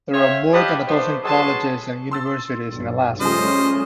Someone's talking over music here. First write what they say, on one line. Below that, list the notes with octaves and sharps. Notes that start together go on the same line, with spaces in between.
There are more than a dozen colleges and universities in Alaska.
A4 C5 C#5 E5 F5 G5
G4 B4 D#5 F5 F#5 A5
G#2 A3 B3 D4 C5
F#3 G#3 A4 B4 A5 C6
C6 E6 A6
B1 G2
C#3 F3 G3 A3 C#4 G#4 C5 D#5